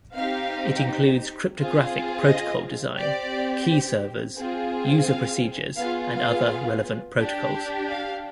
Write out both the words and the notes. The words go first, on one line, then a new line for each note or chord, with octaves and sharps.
It includes cryptographic protocol design, key servers, user procedures, and other relevant protocols.
C4 D#4 G4 F5
C4 F4 G#4
D#5
C4 G4 D5
C4 F4 G#4
F5
B3 F4 G#4 F5
F5
D4 G4
F5